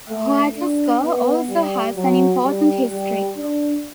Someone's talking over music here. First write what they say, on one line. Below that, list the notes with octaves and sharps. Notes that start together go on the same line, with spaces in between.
Huatusco also has an important history.
A3
D4
B3
G3
F#3
G3
G3
D4